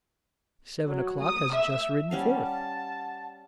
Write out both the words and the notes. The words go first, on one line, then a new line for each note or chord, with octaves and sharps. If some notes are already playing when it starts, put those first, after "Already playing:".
Seven O'clock has just ridden forth.
F#3
D#6
E5
G3 C#4 F5 F#5 A5